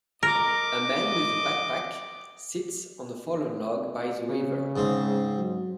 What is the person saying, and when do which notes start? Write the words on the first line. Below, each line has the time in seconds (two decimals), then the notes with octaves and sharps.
A man with a backpack sits on a fallen log by the river.
0.23 A#4 D#5 D6
4.29 C#3
4.76 G#2 C4
5.38 F#3